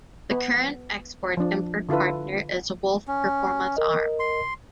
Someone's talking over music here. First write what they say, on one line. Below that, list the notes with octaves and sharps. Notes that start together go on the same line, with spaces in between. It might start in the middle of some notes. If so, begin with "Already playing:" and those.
The current export import partner is Wolf Performance Arms.
B3
F3 D4
D3 E4 F4 A4 B4
C#4
A#4 D#5
C6